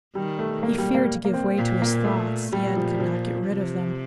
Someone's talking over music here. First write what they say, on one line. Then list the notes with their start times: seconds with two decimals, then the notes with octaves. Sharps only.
He feared to give way to his thoughts, yet could not get rid of them.
0.15 D#3 G3
0.39 A3
0.63 A#3
0.78 G3
0.95 A#3
1.25 A#3
1.34 C4
1.57 A#2
1.82 A#3
2.05 A3
2.52 A#2 G3
2.76 F3
3.00 F3
3.48 C3